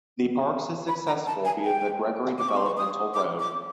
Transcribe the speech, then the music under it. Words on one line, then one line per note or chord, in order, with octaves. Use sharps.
The parks is accessible via the Gregory Developmental Road.
B5
A#5
A5
G#5
G5
D6
C#6
C6
C#6
D#6
D6
D6